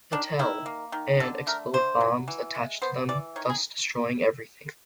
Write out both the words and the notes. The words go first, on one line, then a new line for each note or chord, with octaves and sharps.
Patel, and explode bombs attached to them, thus destroying everything.
D#3 D4
D#3 E4
A#3
D#3
D3 A4
A3 A#4
D3 C5
F#3
E3
G#3
B3 C5
E3 D5
D#3 C#5
G#4